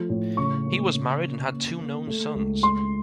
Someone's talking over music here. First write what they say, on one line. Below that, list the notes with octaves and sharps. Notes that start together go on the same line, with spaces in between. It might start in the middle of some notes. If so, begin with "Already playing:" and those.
He was married and had two known sons.
Already playing: F3 A3
A2
C#3 C#6
A#3
C#3
C#4
A#3
A#3
A3
C#2
C#2 C6